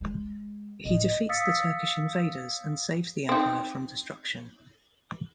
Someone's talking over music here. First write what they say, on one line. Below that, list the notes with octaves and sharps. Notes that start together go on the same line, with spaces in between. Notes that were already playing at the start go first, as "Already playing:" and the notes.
He defeats the Turkish invaders and saves the Empire from destruction.
G#3
A2 D#5
F5 D#6 E6 A6 B6 C#7
C4 D#4